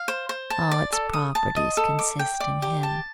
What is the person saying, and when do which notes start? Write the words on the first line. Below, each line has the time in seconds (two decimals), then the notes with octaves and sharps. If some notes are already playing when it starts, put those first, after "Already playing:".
All its properties consist in him.
Already playing: F5
0.08 C5
0.29 C5
0.50 A5
0.72 D5
0.92 A4
1.13 D#6
1.35 A5
1.56 D#5
1.77 A4
1.99 D6
2.19 G5
2.40 D5
2.62 G4
2.83 A5